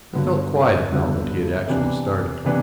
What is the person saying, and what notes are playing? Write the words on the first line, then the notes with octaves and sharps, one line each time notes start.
He felt quiet now that he had actually started.
G2 D3 F#3 B3
G2 D3 F#3 B3
C3 E3 B3 D4
C3 E3 B3 D4